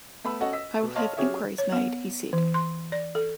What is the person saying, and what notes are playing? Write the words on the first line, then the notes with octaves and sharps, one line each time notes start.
"I will have inquiries made," he said.
A3 B3 B5 E6
C#4 F#4 A4 D#5 F#5
D#5 E6 B6
B2
C#5 D#5 F5 A5 C6 F6
F#3 C#4 G4 G#4 C#5 E5
C#5
B3
E3
C6
D5
A4